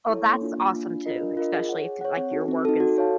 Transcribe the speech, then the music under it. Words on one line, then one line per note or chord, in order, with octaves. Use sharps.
Oh, that's awesome too, especially if, like, your work is
E4 A4 C#5
A#3
D4 F4
A#3
D4 F4
D4
F4 A#4 D#5
D4
F4 A#4 D#5
G#4
C#5 F#5
G#4
C#5 F#5
C4
D#4 F#4 A4
C4
D#4 F#4 A4
F#4
A4 C#5 F5 A5